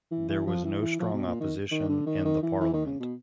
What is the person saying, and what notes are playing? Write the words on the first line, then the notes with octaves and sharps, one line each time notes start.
There was no strong opposition in the parliament.
E3
E3
F3
E3
E3
F3
B2
A#2
D#3
D#3
D3
D#3
D#3
E3
E3
D#3
C#3
B2